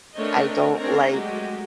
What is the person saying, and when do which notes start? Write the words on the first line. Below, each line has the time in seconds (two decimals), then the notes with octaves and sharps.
I don't like,
0.15 A3 C4 D4 A#4 C#5 D#5
0.78 C4 D4 A#4 C#5 A#5
1.12 F#3 G#3 A3 F#4 G4